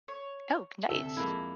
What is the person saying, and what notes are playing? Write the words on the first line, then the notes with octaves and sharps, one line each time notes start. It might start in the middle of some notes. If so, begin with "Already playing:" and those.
Oh, nice.
C#5
D2 C3 A4 E5
F2 G#3 A#3 E4